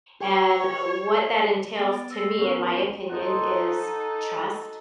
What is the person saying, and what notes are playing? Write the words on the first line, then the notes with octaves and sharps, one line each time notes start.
and what that entails to me, in my opinion, is trust,
G4 C#5
B3 A6 D7
E6 A#6 C7 C#7
B3 C#4 A#4 C#6
D#4 F#4 A4 C5 D#5